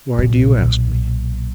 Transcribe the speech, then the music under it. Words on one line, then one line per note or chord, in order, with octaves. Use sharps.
Why do you ask me?'
B1 A#2